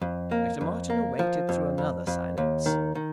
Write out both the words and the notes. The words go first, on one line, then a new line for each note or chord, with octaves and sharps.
Dr. Martineau waited through another silence.
F2
A#3
F2
A#3
F3
F2
F2
F2
D#2
D#3
D#3